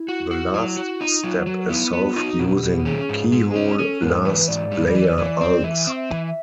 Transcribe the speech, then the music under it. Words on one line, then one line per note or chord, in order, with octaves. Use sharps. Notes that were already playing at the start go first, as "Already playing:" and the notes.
The last step is solved using Keyhole last layer algs.
Already playing: E4
F#4
F#4
F#3
F#4
D#4 F4
F#3 F4
F#3 F#4
B3 E4
B3 F4
F#4
D#4 F4
F#4
B2
G4
B2
C#4 G#4
G#2
G#3
C#4
C#4 A4
G#2 A#4
E3 B4
G#2 D5
G3
E3
E3
C4
E3 E5
C4
E5
E3
E5